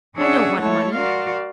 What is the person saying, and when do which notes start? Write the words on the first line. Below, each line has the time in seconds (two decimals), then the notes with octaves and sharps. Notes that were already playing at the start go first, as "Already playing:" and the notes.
I don't want money.
0.15 C#4 D4 G#4 C#5 E5 F#5
0.60 G#3 A3 E4 A4 C#5
0.93 F#4 A#4 D5 F5 C6